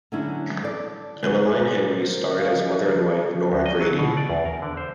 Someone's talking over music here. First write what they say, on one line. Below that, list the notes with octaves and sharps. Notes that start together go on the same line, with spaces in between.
Emmaline Henry starred as mother and wife, Nora Grady.
D3 F#3 C#4 D4 E4
E4 A4 D5
G#3 B3 F#4 B4 C#5
A#4 C5
A#4 D#5 F5
D2
D#5
F#3
B2
D5
E2
A#4
D3
C5